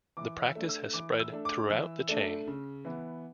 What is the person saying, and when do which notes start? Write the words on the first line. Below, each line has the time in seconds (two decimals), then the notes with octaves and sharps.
The practice has spread throughout the chain.
0.17 E3 D6
0.42 E6
0.56 A3 D4
0.69 E6
0.93 E3 D6
1.20 E6
1.32 A3 D4
1.45 D6
1.70 E3 E6
2.09 A3 D4
2.47 C#3
2.85 E3 B3